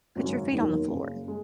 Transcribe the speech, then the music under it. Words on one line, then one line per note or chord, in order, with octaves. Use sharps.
put your feet on the floor
G#1 F#2 C#3 F#3 C#4
E1 D#2 D#3 F#3 A#3
F#1 F#2 C#3
G#3